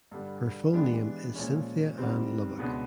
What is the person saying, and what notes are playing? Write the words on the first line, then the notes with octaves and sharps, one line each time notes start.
Her full name is Cynthia Ann Lubbock.
G2 D3 G3
E3 G#3 B3 D4 G4
A#2 F3 G#3 C#4
G#2 D#3 G3 C4
C#2 B2 G#3 B3 D4